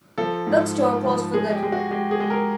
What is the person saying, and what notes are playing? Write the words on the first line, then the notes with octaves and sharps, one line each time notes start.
Bookstore closed for good.
F3 A4
G#2
G#2
F3
G#3 G#4
G4
G#3
F#4
G#3 G4
G#4
G#3
A#4